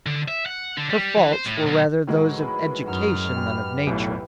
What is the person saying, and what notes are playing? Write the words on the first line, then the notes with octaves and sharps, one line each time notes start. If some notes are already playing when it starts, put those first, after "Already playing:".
Her faults were rather those of education than of nature.
D3
E5
F#5
D3
G3
E3
C5
A2
B1
A2 D#3 E3 F#3 G#3
B4 B5
F#2 F#4 A#4 D#5 F6
G4 B4
B1 A2 E3 G4